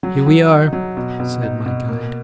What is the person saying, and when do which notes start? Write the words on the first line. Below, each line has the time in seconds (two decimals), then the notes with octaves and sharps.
"Here we are," said my guide.
0.03 F#3
0.26 F#3
0.50 D#4
0.73 F#3
0.97 B2
1.20 B2
1.42 D#4
1.66 B2
1.88 A#3